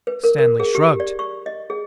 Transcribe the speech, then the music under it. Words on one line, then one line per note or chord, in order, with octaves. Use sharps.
Stanley shrugged.
B4
A#4
A#4
G#4
G4
D5
C#6
D#5
G#4